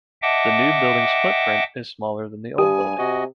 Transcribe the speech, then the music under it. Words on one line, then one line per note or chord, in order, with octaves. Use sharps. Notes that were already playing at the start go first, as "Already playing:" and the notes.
The new building's footprint is smaller than the old building.
D#5 E5 F#5 G5 A5 D6
G2 G4 G#5 D#6
C3 F#4 D#5